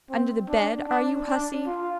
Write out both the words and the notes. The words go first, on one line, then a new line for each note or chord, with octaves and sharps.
Under the bed, are you, hussy?
C4
D4
D4
D4
F4